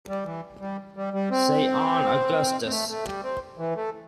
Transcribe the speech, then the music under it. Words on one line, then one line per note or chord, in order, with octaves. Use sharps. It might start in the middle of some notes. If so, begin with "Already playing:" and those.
Say on, Augustus.
G3
E3
G3
G3
G3
C4
C4
A3
A3
G3
C4
E3
A3